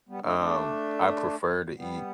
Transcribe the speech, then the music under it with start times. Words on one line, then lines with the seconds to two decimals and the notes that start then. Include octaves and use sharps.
Um, I prefer to eat
0.09 G3 B3
0.23 A3 D4
0.38 A3 D4
1.77 G3 B3